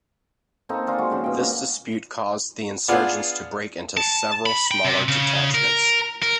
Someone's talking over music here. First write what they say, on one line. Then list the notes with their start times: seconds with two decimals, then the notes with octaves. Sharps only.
This dispute caused the insurgents to break into several smaller detachments.
0.69 A#3 C4 D#4 A4
0.87 D4 D#4 F4 G#5
0.98 G#3 F#4
1.11 C#3 F3
1.24 B2 G5
1.38 A#3 C#4 D#5
2.88 B3 D4 F4 G#4
3.97 A5
4.46 B5
4.71 G5
4.84 C3
5.08 C#3
5.55 A#4
6.22 A#4